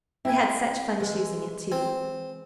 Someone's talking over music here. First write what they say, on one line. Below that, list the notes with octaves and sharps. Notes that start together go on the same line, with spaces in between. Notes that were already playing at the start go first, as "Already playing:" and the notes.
We had such fun choosing it, too.
C4 E4 E5 G5 G#5
E3 G#3
C4